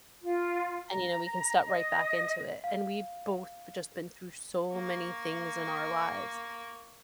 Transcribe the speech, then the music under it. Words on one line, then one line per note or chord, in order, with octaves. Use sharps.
and, you know, we can step right back into it, and we've both v just been through so many things in our lives.
F4
A#5
D#5
F5
A#3 C#6